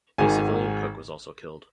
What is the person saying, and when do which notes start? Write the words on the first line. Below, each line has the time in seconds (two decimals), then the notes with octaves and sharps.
A civilian cook was also killed.
0.18 G#1 G#2 D#3 G#5